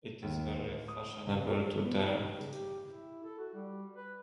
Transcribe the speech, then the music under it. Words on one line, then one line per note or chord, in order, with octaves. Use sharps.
It is very fashionable to dare.
D#2
D1
D#6
G7
C#2
B3
D#4
C#3
G4
E4
A4
F#4
G3
B4